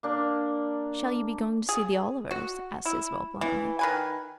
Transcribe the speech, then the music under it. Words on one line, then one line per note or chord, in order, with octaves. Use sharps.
"Shall you be going to see the Olivers?" asked Isabel bluntly.
A#3 D4
G#4
F#4
E4
E3
D#3 B4 G#5